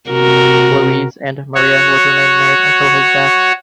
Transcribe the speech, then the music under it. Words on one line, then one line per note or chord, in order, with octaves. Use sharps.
Luiz and Maria would remain married until his death.
C3 F#4 A#4
F#4 C#5